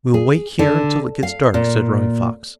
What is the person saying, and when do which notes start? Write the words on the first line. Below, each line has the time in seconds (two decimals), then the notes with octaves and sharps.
"We will wait here until it gets dark," said Running Fox.
0.14 G#4
0.59 D3
1.23 F5
1.54 A#2